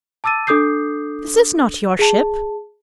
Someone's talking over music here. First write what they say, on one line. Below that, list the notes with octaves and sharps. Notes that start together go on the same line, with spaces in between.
This is not your ship.
A5 D6 E6 A6 D#7
D4 A4 D6 D#6 G6 C7
G#4 A5